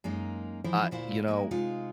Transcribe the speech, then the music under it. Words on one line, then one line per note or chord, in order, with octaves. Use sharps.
Ah, you know,
F#2 G#3 A#3 D#4
E3 F3 E4 C5
D2 A#2 E4 C5 F5
G#3 A#3
C3 G#3 D#4 F4